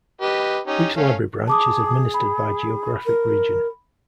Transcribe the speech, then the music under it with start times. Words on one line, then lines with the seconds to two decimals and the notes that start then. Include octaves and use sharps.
Each library branch is administered by geographic region.
0.22 G4 B4 D#5
0.67 C#4 D#4 G4
0.97 A3 C#4 F5
1.48 G#4 A5 D6 D#6
2.14 B5
3.05 A#4